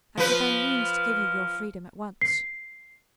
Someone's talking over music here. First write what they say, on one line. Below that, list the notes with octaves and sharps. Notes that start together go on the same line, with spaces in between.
"I shall find means to give you your freedom at once."
F3 B4
C7